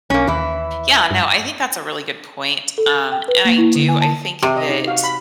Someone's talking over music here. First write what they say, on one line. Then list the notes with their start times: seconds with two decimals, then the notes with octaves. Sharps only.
Yeah, no, I think that's a really good point, um, and I do. I think that
0.10 B1 A#3 C#4
0.27 D#2 E3 E4
1.11 G2
2.78 A4
2.89 A6
3.12 G5
3.28 B4
3.45 A#3
3.58 E4
3.75 D3
3.89 G#5
4.02 A5
4.43 C3
4.57 D#5
4.69 D#4
4.87 F#4 F5
5.04 B5